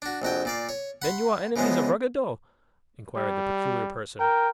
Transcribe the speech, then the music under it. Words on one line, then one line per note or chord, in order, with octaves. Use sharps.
"Then you are enemies of Ruggedo?" inquired the peculiar Person.
D4 F#4
A#1 F2 F#4 G5
A#2 D5 F5
C#5
F#5 B5 C6
C#3 E3 F3 G#3 B3
G3
A#4 G5